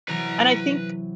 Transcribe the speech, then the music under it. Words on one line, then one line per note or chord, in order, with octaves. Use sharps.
And I think
C3 E3 F#3 B4 A#5